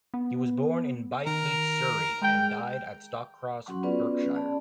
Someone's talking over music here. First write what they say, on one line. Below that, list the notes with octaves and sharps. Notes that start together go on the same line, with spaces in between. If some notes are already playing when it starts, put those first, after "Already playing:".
He was born at Byfleet, Surrey and died at Stockcross, Berkshire.
B3
D#3 A#4
G#3 G5
F#3 C#4 F#4 F#5 C6 C#6
B3 C#4 F4 G#4 B4 D5
C#4 B4
C#4 G#4 D5 A5 B5